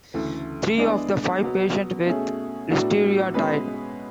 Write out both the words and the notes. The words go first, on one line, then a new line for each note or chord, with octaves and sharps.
Three of the five patients with listeria died.
D2 C#3 E3 A3
E3 G#3 B3 D4 G#4
B2 F#3 B3
B2 A3 C#4 G#4
A2 F#3 B3 D4 F#4
B2 G#3 C#4 G#4 B4